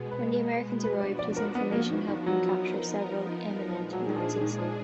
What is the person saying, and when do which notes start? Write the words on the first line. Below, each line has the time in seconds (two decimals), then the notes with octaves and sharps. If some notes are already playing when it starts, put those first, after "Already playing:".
When the Americans arrived, his information helped them capture several eminent Nazis.
Already playing: B2 G#3 B3
0.11 B4
0.83 F3 B3 D4 F#4 B4
1.01 D5
1.19 D5
1.36 A#4
1.55 B3
1.72 A#3
1.91 D#3
2.08 D#3
2.26 F3 F#3 B3 D#4 A#4
3.69 A#2 F3 G#3 D4 G#4
3.93 F#3
4.06 D#3
4.17 F3
4.41 D#3
4.58 F3